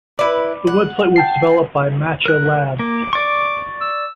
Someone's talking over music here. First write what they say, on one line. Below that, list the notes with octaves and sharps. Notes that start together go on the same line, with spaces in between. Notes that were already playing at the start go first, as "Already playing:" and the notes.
The website was developed by Matcha Labs.
E4 B4 D5 B5 D6
F#5
G5 A5 C7
A#4 F#6
A#3 D6
D5 C#6 D6
E6